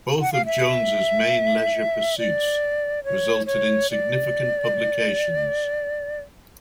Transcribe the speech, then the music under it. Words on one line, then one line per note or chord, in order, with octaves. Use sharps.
Both of Jones's main leisure pursuits resulted in significant publications.
F#5
F5
E5
D5
C#5
C#5
D5